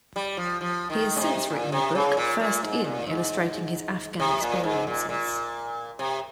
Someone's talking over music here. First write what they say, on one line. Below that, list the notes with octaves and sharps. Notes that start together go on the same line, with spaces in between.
He has since written the book "First In", illustrating his Afghan experiences.
G3
F3
F3
D#3
C#3
C3
A#2
C3
C#3
A#2
A#2
G#2
A#2
G#2
C3
A#2
G#2
A#2
A#2
C3